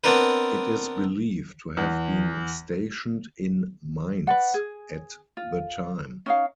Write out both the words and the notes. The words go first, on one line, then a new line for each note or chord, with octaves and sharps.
It is believed to have been stationed in Mainz at the time.
B3 C4 D4 A#4 B4
E2
B4 D5 F#5
G#4
F4
C#4 D#4 F5